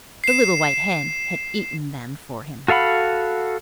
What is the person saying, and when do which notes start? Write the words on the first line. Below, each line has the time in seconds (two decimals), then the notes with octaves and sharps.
The little white hen had eaten them for him.
0.24 C7 E7
2.68 F#4 A4 F5 F#5 B5